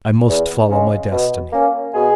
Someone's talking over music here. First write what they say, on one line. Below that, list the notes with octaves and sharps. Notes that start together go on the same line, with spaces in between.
I must follow my destiny.
E2
C#3 G#3 C#4
B2
A#3 C#4
B2 G#4